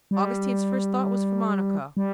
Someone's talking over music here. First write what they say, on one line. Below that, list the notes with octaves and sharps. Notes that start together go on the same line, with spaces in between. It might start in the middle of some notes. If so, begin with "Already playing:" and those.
Augustine's first thought was for Monica.
G3
G3